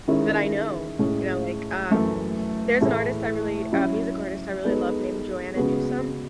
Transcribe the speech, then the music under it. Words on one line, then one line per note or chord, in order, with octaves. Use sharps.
that I know, you know, like, um, there's an artist I really a music artist I really love named Joanna Newsom,
D#3 G#3 C#4 E4
A2 G#3 C#4
F#2 E3 A3
A2 E3 A3 E4 G#4
F#3 C#4 E4
G#3 B3 D#4 A4
C#3 G#3 B3 F#4